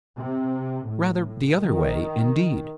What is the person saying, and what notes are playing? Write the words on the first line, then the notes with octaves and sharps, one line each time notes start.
Rather the other way, indeed.
C3
A2
D#3